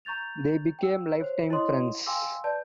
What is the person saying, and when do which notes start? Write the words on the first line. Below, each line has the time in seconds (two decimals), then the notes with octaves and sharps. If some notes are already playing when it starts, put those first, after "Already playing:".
They became lifetime friends.
0.05 A#5 C#6 G6 A6 F7
0.79 G5 E6
1.20 C5 C#5
1.50 E4 C#5 D#5 C6 D#6
2.06 F5 G5 G#5 C6 D6 E6
2.44 B4 D5 A5 G6